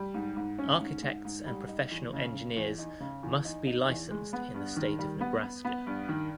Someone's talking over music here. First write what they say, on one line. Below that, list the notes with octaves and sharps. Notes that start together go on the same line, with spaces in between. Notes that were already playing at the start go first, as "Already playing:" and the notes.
Architects and professional engineers must be licensed in the state of Nebraska.
Already playing: G3
G#2
G#2
C#4
G#2
G#2
G#2
G3
D#4
E2
C#3
C#3
E2
D#4
C#3
E2
D#4
D#4
E2
G#3
B3
G2
D#3
G3
B3
B3
B3
G2
D#3